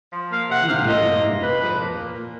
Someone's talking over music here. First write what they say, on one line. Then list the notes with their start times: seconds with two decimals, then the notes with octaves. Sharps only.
You live and you will forget me.
0.11 F3
0.30 A#3 F5
0.48 C3 F#5
0.67 C3 F5
0.85 F3 D#5
1.04 A#3
1.22 C3
1.40 C3 B4
1.58 F3
1.77 A#3
1.95 A#2
2.14 A#2